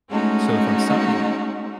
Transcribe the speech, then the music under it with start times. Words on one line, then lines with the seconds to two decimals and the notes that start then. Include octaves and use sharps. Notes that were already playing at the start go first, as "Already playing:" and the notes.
So, if I'm signing it,
0.10 G#3 A3 C#4 D#4 F#4